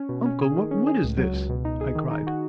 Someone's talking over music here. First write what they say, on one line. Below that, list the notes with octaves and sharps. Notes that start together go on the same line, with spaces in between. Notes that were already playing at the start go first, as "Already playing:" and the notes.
"Uncle, what wood is this?" I cried.
Already playing: C#4
B2
C#4
G#4
D#3
C#4
G#4
C#2
F#3
C#2
B2
D#4
G#4
D#3
D#4
F#4